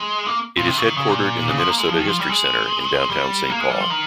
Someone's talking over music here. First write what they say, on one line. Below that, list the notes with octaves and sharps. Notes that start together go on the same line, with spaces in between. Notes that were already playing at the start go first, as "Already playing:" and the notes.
It is headquartered in the Minnesota History Center in downtown Saint Paul.
Already playing: G#3
A#3
A#2
C3
C#3
D#3
C#3
A#2
C#3
F3
A#3
G#3
F3
D#3
F3
G3
G#3
G3
A#3
G#3
G3
F3
D#3